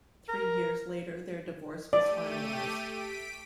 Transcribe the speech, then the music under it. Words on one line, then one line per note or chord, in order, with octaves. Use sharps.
Three years later, their divorce was finalized.
A#4
A3 G4 D5 D#7
B6 D7